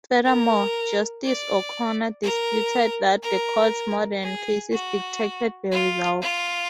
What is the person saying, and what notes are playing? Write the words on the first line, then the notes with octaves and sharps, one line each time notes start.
Furthermore, Justice O'Connor disputed that the Court's modern cases dictated the result.
A#4
D5
A#4
A#4
G#4
F#4
F4
F4